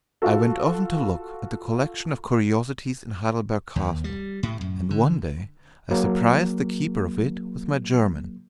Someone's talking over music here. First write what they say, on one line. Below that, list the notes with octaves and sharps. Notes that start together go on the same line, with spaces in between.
I went often to look at the collection of curiosities in Heidelberg Castle, and one day I surprised the keeper of it with my German.
F4 F#4 A4
D#2
G3
A2
F#2
D3
F#3 A#3